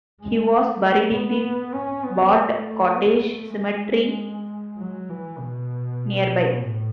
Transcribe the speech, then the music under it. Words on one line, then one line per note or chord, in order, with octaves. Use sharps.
He was buried in the Bard Cottage Cemetery nearby.
G#3
A3
B3
C#4
B3
A3
B3
A3
G#3
F#3
E3
B2
A2